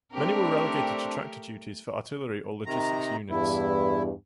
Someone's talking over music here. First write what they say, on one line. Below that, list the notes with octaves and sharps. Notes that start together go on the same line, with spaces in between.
Many were relegated to tractor duties for artillery or logistics units.
A3 C4 D4 G4 A#4
C3 D#3 A#5
E2 G2 E4